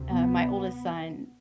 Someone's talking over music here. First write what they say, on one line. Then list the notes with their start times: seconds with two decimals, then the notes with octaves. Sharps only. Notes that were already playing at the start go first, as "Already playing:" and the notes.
uh, my oldest son
Already playing: D2 C3
0.10 B3